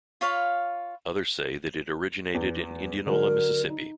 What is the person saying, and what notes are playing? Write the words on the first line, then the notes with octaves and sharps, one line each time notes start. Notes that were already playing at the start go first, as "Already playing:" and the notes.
Others say that it originated in Indianola, Mississippi.
F4 C#5 F5 B5
E2
D3 F#3 A#4
D#4